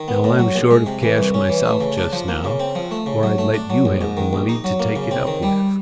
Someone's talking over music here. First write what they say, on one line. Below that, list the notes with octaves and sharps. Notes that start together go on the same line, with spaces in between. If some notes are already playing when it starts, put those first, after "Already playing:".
Now, I'm short of cash myself just now, or I'd let you have the money to take it up with.
Already playing: D#3
B3
A2
F#3
A#1
G#3
C3
E3
C2
C#4
E3
A3
C#3
D4
F3
A#3
C#3
C4
F3
A3
C#3
F#3
A3
D4
F#3
A#1
G#2
D#3
A#1
D#4
F#3
A#3
C#3
C4
D#3
G3